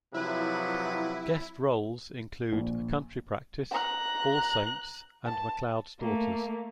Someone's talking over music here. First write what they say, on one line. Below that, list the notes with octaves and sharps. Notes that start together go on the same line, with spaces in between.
Guest roles include A Country Practice, All Saints and McLeod's Daughters.
C3 F3 F#3 E4 B4
A#1
A#5 F#6
A5
A3 A#3